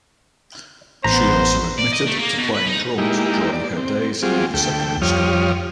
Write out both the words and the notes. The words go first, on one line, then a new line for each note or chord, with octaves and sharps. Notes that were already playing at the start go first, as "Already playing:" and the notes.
She also admitted to playing drums during her days in secondary school.
A1 B3 B4 C5 A#5
D5
D#5
A3
A#3
B2
B4
D#4
G#3 A#3 D#4 E4 G4
D5
C4
F#3 G3 C4 F4 G#4
D2 A3 G5
F2 F3 G3 C#5 D#6 F6